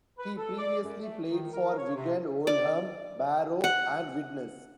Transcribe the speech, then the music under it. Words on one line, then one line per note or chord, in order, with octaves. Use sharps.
He previously played for Wigan, Oldham, Barrow and Widnes.
B4
A4
D5
F#2
A3
D#3
A#4
C#5
C3
D5
F#5